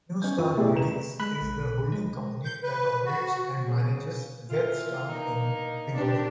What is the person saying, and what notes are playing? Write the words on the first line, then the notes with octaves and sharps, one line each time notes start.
Newstar Holdings is the holding company that operates and manages Jetstar in Singapore.
C#4 G6
F2 F4
C3 A3 E4 G4 G#4 D5
B4 A#5 E7
G#3 B5 F#6
A#1
G#3
G6
B4
F#4
C#3
E3 A#3 F4
A#3 D4 D#4
C4 D4 G4